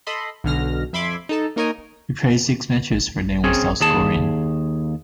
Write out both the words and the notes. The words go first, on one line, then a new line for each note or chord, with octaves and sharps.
He played six matches for them without scoring.
A4 D#5 B5 C6
B1 B2 D3 F6 A#6
F2 E5 B5 C6 D6 G#6
D#4 A4 A5
A#3 D#4 A#4 C#5 D#5 G#5
C4 C#4 G#4
D#2 G#4 A5